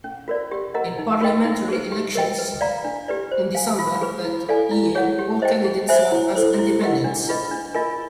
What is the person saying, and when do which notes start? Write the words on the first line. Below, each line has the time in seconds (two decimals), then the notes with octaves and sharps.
In parliamentary elections in December that year all candidates ran as independents.
0.04 C#4
0.28 F#4 A#4 D5
0.51 G4
0.74 A#4 D#5 F#5 A#5
0.98 D#4
1.21 F#4 A#4 D#5 G5
1.45 D#4
1.68 G#4 B4
1.92 G4
2.15 A#4 D#5 G5
2.39 B4
2.61 D5 F5 A#5
2.85 D4
3.08 G4 B4 D5
3.32 C5
3.55 F5 G#5
3.79 F4
4.01 G#4 B4
4.25 E4
4.49 A4 D5 F5 G#5
4.71 E4
4.95 G#4 C#5 F#5
5.19 G4
5.42 C5 D#5 G5
5.64 G#4
5.89 C5 E5 G#5
6.11 E4
6.35 A4 C5
6.59 E4
6.81 G4 A#4 D#5 F#5
7.04 D4
7.29 F4 G#4 B4 D#5
7.51 D4
7.74 F4 A#4 D#5 G#5